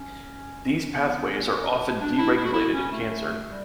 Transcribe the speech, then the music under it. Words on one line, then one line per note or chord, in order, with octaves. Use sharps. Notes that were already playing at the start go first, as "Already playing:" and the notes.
These pathways are often deregulated in cancer.
Already playing: C#4
B3
C#4
D4
E4
E4
F#4
E4
C#4
A3
G3